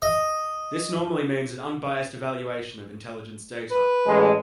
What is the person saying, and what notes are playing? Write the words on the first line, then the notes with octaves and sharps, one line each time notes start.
This normally means an "unbiased evaluation" of intelligence data.
D#5
B4
A1 G#3